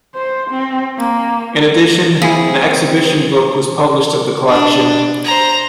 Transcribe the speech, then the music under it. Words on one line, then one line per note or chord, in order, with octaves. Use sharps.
In addition, an exhibition book was published of the collection.
C5
C4
A#3
A#3 C4 E4 G#4 F5 G#5
D4
C5 A#5